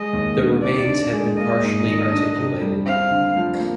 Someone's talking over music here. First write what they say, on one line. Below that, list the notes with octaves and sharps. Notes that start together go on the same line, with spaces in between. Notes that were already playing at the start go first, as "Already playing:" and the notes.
The remains had been partially articulated.
Already playing: G#3 D#5
D#2
D3
D#4 D5
D3
G#3
A#3 D#5
G#2
D#3
D4
C3
G3
C4 F5
D3
F3
A#3